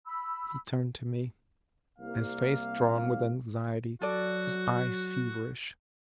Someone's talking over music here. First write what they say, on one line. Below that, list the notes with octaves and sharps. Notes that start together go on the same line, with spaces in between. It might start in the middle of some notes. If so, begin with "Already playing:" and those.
He turned to me, his face drawn with anxiety, his eyes feverish.
B5 E6
C2 A#3 F5
F#3 F#4 A4 D5